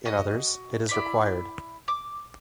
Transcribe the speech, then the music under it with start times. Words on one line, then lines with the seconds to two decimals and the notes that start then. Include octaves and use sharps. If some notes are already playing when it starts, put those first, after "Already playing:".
In others it is required.
0.05 F#4 D#5 D#6
0.89 E4 D5 B5
1.88 D6